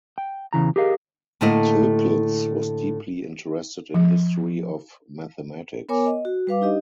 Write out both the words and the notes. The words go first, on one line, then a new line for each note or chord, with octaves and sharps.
Toeplitz was deeply interested in history of mathematics.
G5
E2 C#3 E3 A#5
G4 G#4 A#4 D#5 F5
A2 D3 A3 A#3 E4 D#5
F3
B3 A#4 C#5 G#5 D6
D#5
F#4
G3 B4 F5 D6
D4 D#4 G4 D#5